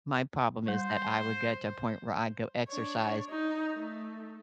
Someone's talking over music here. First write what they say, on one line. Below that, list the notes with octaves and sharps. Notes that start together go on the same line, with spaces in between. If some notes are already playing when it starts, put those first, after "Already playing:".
My problem is that I would get to a point where I'd go exercise,
G3 C5
D4 C#5
D#4
A3